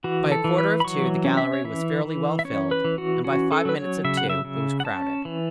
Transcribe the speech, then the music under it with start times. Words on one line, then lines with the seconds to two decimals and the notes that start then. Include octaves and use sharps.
By a quarter of two the gallery was fairly well filled and by five minutes of two it was crowded.
0.04 E3 F#4
0.32 A4
0.44 E3
0.58 B4
0.80 B5
0.84 F#3 C#6
1.25 C#4
1.37 E5
1.53 C#5
1.65 E3 E5
2.05 E3
2.39 E5
2.45 C#4 C#5
2.71 B4
2.85 E3
2.98 F#4
3.24 C#4 F#4
3.52 A4
3.65 F#3 B4
3.78 C#5
4.04 C#3 E5
4.17 F#5
4.29 E5
4.45 C#3
4.80 F#5
4.84 C#4 A5
5.25 E3